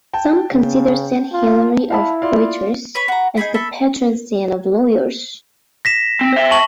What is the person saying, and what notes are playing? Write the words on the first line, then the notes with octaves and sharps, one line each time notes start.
Some consider Saint Hilary of Poitiers as the patron saint of lawyers.
G5 A5
C#3
F4
E4 F5 A5 B5
F4 D5 F5
B4 C#5 B5
F#4 A#5
D#4 G#4 B5
A4 E5 B5
A#6 B6 E7
C4
C5 E5
A5 C#6 F#7